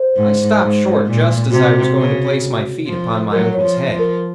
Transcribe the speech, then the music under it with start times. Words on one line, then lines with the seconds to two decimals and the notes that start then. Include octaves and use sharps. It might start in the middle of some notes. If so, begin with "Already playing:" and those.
I stopped short just as I was going to place my feet upon my uncle's head.
Already playing: C5
0.17 G#2
0.62 G#2
1.07 A#2
1.52 C3 F#4
1.97 C#3
2.87 F3
3.32 F#3 A#4
3.54 C#5
3.61 F3
3.92 F3
3.99 A#4